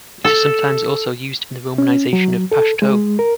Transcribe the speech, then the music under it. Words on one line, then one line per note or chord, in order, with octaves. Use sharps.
It is sometimes also used in the romanization of Pashto.
A4
C#4
F#3
A4
G#3
A#4